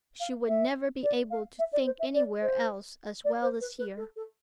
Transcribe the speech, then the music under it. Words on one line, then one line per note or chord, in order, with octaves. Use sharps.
She would never be able to think anywhere else as well as here.
F5
E5
D5
F5
E5
D5
C5
E5
D5
C5
D5
C5
B4
B4
A4
A4